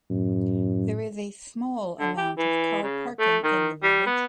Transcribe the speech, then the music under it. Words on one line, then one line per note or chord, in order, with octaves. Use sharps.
There is a small amount of car parking in the village.
F#2 A2
D3
G4
E3
C#3
A3
D#3
G3
B3